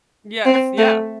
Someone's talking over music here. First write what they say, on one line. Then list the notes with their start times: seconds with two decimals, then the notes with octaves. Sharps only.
Yes, yeah,
0.45 C4
0.78 A3